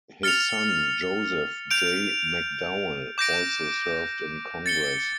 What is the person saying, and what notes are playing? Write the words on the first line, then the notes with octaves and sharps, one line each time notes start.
His son Joseph J. McDowell also served in Congress.
F6 A6 C#7 F7
G6 D7 F7
D6 G6 A#6 D7
A6 C#7 G7